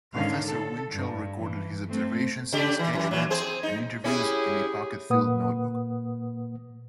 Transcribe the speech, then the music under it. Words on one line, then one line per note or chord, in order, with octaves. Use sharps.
Professor Winchell recorded his observations, sketch maps, and interviews in a pocket field notebook.
G#2 D3 D#3 C#4 F5
A4
G2
E3
A3 C4
C#3 G4 D5
E3
F#2 E3
E3 F#3
C4 G#4 C5
D#4
C#4 E4 G4 G#4
A#2 A#3 B4 F#5 D#6